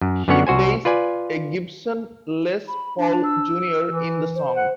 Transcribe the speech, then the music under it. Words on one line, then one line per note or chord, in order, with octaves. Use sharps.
He plays a Gibson Les Paul Junior in the song.
F#2
F#2 D3 B3 C#4 C#5 F#5
C2 F#4 C5 G#5
F4 B4 D5 G#5
B5
D4 A5
E6
E3
C5
F#5